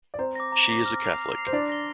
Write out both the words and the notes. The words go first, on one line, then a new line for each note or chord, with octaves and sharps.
She is a Catholic.
D5
C4 C5 A#5
D6 A#6
A#5
D6 A#6
F6
C7 F7
F6
C7 F7
C5
D4 D5 C6
A#6 G7